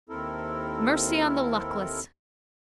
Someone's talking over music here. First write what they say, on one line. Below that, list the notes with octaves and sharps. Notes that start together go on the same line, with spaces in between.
Mercy on the luckless!
D#2 C4 E4 A4 A#4